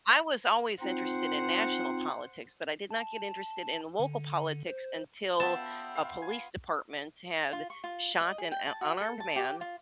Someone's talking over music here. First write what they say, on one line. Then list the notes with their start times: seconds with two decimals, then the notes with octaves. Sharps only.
I was always interested in national politics, but I did not get interested in local politics until a police department had shot an u unarmed man,
0.82 C4 D#4 F4 C5 F#5
2.91 A5
4.00 D3
4.66 C5
5.40 B3 F4 E5 G5 A5 B5
5.95 F5
6.22 G#5
7.53 F4
7.70 C#6
7.84 F4
8.20 D#5
8.38 G#4
8.51 G5
8.67 A5
8.81 F#4
9.01 A4
9.20 A5
9.36 G4
9.61 F4